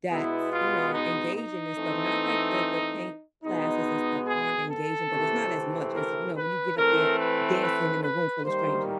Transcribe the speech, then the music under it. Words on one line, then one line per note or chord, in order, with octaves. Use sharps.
that's, you know, engaging and stuff, not like the the paint classes and stuff aren't engaging, but it's not as much as, you know, when you get up there dancing in a room full of strangers.
B2 G#3 B3 E4
F4
D#4
D#4
E3 A3 C4
B2 G#3 B3 D#4
G#4
A4
C3 E3 A3 C4
A#4
B4
E3 A3 C4 A#4
B4
B4
B4
D#3 G3 A#3 C5